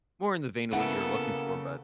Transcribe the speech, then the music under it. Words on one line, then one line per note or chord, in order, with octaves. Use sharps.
more in the vein of what you're looking for, but,
C#3 A#3 B3 E4 A4 F#5